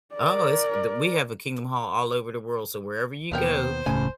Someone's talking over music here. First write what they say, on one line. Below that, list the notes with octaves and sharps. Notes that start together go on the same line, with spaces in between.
Oh, it's the we have a Kingdom Hall all over the world, so wherever you go,
A#4 D5
D#2 B2 B3 A#4 C5 G5
E1 C#2 A2 C#3 G#5